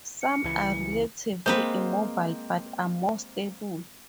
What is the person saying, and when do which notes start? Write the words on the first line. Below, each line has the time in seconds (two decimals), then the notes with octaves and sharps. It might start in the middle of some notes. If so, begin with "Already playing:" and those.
Some are relatively immobile, but are more stable.
0.22 C#7
0.44 C#2 E3
1.46 G#3 A#3 C4 B4 C5 G6